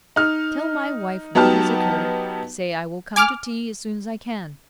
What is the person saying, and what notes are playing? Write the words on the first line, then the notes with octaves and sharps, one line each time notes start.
Tell my wife what has occurred--say, I will come to tea as soon as I can.
D#4 F6
F#3 B3 D#4 G4 A5 F6
G#5 D6 F6